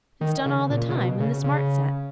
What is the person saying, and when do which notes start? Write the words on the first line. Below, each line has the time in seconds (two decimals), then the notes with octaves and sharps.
"It's done all the time in the smart set."
0.21 D#3
0.46 C#3
0.70 A#2
0.89 C#3
0.95 B2
1.20 C#3
1.44 C#3